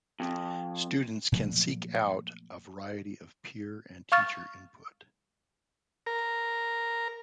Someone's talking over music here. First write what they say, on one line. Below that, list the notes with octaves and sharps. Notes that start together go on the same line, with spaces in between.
Students can seek out a variety of peer and teacher input.
F2
A#2 F3 F#3 A3
F5 C#6 F6 A6
A#4